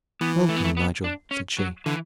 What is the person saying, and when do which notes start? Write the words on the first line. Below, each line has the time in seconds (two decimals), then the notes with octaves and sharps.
"Welcome, Nigel!" said she.
0.21 E3 B3
0.49 A3
0.56 B3
0.64 A3
0.77 B3
1.04 D4
1.31 C#4
1.58 F#3
1.86 D3 E3